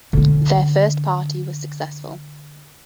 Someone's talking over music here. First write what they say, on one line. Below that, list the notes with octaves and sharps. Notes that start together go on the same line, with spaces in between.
Their first party was successful.
D3 C#4